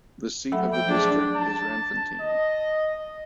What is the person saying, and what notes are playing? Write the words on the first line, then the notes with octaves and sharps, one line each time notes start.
The seat of the district is Randfontein.
F#3 A3 A4 E5 F#5 B5
F3 C5 G5
D4 G#4 D5 A5
A5
D#5